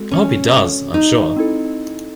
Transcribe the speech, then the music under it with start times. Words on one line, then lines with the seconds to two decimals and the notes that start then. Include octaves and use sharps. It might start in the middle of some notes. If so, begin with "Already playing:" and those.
I hope he does, I am sure.
Already playing: G#3 C4 F#4 A4
0.11 C#4
0.94 D#4
1.37 C4 E4 A4